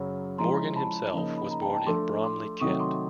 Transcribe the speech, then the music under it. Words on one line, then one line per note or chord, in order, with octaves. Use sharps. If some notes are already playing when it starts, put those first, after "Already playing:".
Morgan himself was born in Bromley, Kent.
Already playing: F#2 C#3 F#3 B5
C#3 F3 G#3 C#4 E4 A#5 C6
A5 B5
C#3 F3 A#3 D#4
B5
A#5
G5 A5
G5 A5
F3 A3 D4 C6 D6
C6 D6
C3 D#3 F#3 A3 C#6 D#6
C6 D6